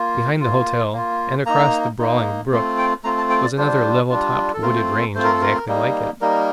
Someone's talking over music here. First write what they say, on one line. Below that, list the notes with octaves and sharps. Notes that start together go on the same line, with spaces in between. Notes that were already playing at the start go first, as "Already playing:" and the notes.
Behind the hotel, and across the brawling brook, was another level-topped, wooded range exactly like it.
Already playing: A#3 F4
A#3 F4
A#3 F4
A#3 D#4 A#5
A#3 D#4
A3 C4 F4
G5
A3 C4 F4 A#5
A5
G5
D5
G3 D4 F4 C5
G3 D4 F4
A4
A3 C4 F4 A#4
C5
A3 C4 F4 C5
A#4
A4
A#4
G3 A#3 D#4
G3 A#3 D#4 A#4